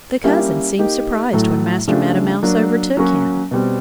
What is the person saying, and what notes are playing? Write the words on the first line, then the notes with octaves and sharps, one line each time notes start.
The cousin seemed surprised when Master Meadow Mouse overtook him.
G3 A#3 C#4 E4 G4
A#3 D#4 G4
A2 F#3 A3
C#3 F3 A3 D4 G4
F#3 A#3 D4
F#3 A#3 C#4 F#4
B2 G3 C4